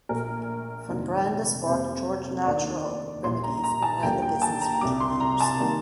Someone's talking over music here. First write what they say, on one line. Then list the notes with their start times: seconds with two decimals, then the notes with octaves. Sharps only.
Von Brandis bought George Natural Remedies and ran the business for two years.
0.09 A#1 A#2 A3 A#4
0.88 F1 F2 D#3 A#3 D4
1.67 F2 C3 G3 A#3 C5
2.45 D#2 D#3 A3 D4 D5
3.24 A#1 A#2 G3 C6
3.44 A#5
3.64 A#5
3.83 A5
4.03 D#2 D3 G3 A#3 G5
4.22 G5
4.42 A5
4.61 A#5
4.81 C2 C3 G3 D6
5.00 C6
5.20 A#5
5.40 A5
5.60 D#3 G3 A#3